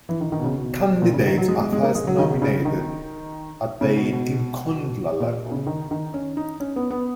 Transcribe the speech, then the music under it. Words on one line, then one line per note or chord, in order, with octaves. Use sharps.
Candidates are first nominated at the "tinkhundla" level.
E3
D#3
D#3
B2
C#3
B2
A#2
C#3
D#3
F#3
G#3
G#3
G#3
A#3
G#3
F#3
D#3
B2
C#3
D#3
C#3
B2
B2
A#2
C#3
D#3
D#3
C#4
D#4
C#4
B3
B3